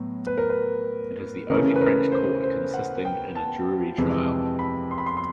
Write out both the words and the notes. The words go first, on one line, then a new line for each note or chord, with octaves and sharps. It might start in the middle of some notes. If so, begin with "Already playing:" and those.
It is the only French court consisting in a jury trial.
Already playing: A2 F#3 B3
B4
A#4
B4
C#3 E3 A3 C#4 A#4
B4
A#4
C5
C5
F#5
G5
A5
F2 C3 E3 G#3
B5
C6
B5
C6
C6